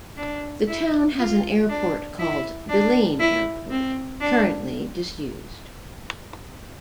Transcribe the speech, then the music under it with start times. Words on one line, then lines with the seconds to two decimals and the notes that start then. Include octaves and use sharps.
The town has an airport called Bilene Airport, currently disused.
0.17 D4
0.68 E4
1.18 F4
1.69 D4
2.19 E4
2.69 D4
3.20 E4
3.71 C4
4.21 D4